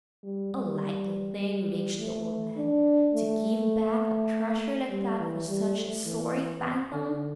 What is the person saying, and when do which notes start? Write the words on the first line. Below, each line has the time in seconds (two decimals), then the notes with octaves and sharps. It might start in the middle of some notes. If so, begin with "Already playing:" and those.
"A likely thing," raged the old man, "to give back a treasure like that for such a sorry phantom."
0.24 G3
0.53 G3
1.40 G3
1.99 A3
2.57 D4
3.14 A3
4.90 G3
5.19 E3
5.48 G3
5.77 A3
6.06 E3
6.93 D3